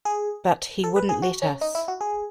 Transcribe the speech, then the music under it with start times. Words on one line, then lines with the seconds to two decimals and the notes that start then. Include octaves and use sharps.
But he wouldn't let us.
0.05 G#4
0.84 A4
0.96 B4
1.09 G#4
1.22 F#4
1.42 C#4
1.61 D#4
1.75 E4
1.88 F#4
2.01 G#4